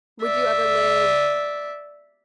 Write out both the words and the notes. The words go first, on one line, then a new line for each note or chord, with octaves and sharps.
Would you ever live
D5 E5